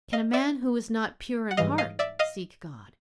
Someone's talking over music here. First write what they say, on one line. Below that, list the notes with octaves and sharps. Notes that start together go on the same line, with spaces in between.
"Can a man who is not pure in heart seek God?"
D#5 F5
D5 E5
F#5
G#2 E3 G3 D#5 F5
D#5 F5
D5 E5
D#5 F5